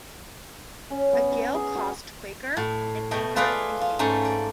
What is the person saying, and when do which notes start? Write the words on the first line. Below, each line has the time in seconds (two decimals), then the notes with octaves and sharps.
A gale cost "Quaker" an anchor and cable.
0.90 C#4
1.13 B3
1.32 A#5
1.54 G#4
1.75 F#4
2.57 A2
3.11 B2 A3 G5
3.36 A3 F4 G#4 B4 D5 F5
3.81 F4
3.99 G#2 A3 C#4
4.25 D5